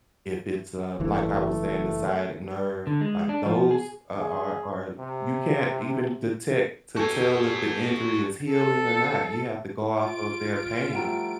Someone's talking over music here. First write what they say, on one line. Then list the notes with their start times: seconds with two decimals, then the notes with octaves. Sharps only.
if it's, uh, like I was saying, the sciatic nerve, like those a are are you can't even detect to tell if the injury is healing or not, you have to go off of their pain.
1.00 F#1 E3 A3
2.87 D3
3.01 G#3
3.29 D4
3.46 F3
3.71 G#4
4.20 G#4
4.99 C3
6.97 B3 F#4 G4 A4 C#5 G#5
8.52 A4
10.01 F4 D7
10.93 F3 G3 A3 F#5 G5 A#5